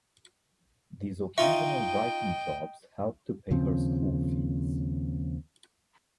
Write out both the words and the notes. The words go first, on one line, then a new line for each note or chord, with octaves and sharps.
These occasional writing jobs helped to pay her school fees.
D#4 F4 D#5 E5 G5 C#6
D#2 C#3 F3 C4